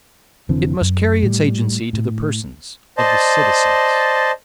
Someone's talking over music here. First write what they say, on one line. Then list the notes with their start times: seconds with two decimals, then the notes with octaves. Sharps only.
It must carry its agency to the persons of the citizens.
0.49 F1 D3 E3 C4
0.81 F#2
1.22 A2 G3
1.93 A2
2.97 C5 D5 D#5 A5